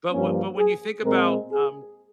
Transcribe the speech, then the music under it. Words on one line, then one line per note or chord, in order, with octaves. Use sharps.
But wh but when you think about, um,
G2 F3 A#3 C#4
G#4
A#2 G#3 C4 A#4
G#4